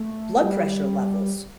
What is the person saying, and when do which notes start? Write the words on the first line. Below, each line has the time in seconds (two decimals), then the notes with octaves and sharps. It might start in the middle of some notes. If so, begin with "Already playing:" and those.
blood pressure levels,
Already playing: A3
0.43 G3